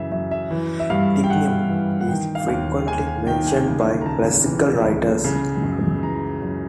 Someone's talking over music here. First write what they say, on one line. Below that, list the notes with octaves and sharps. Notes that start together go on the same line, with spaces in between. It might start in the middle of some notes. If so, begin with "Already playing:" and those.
Ticinum is frequently mentioned by classical writers.
Already playing: F#2 C#3 E3 E5
F#2 E5
E5
E3
E5
G2 F5
G5
G2 F#5
E3
F#5
D#3 G5
F5
D#2
D#2 G#5
G#5
D#3 G5
G#5
C#3 G#5
A#5
C#2 A5
E3
C#2
C#3
F#2
E3 A#5
F#2